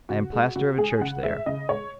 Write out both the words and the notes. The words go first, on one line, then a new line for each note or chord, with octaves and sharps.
I am pastor of a church there.
C#3 F#4
G#3
C#3 F#4
G#3 G#4
C#3 F#5
G#3 E5
C#3 D#5
G#3 C#5